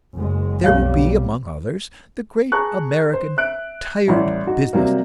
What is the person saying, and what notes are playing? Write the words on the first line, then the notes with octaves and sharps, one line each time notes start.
There will be, among others, the great American tired business man.
F#1 G#3
B1 F2 G3 G4 C#5 F5
G#4 A5 A#5 C#6 F#6
C5
E5 F#6 D7
A1 G3 E4
D#4 F#4
C3 F#3 G3 A#3